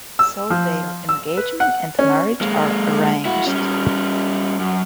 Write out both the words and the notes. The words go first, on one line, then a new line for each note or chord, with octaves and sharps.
So their engagement and marriage are arranged.
E6
F3
E6
B4
F#5
C#4
G#3 A#3
E4 F#4
G3 C#4
F#2